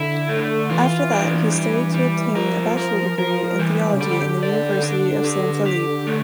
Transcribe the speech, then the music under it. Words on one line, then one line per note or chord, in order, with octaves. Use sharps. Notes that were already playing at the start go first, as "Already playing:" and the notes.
After that, he studied to obtain a bachelor degree in theology in the University of San Felipe.
Already playing: D3 E4
A3
E3 F4
D4
G3
G3
F3 A#4
A#4
F3 A#4
E3 G3
C#3
D3 G4
D5
D4
G4
G4
A3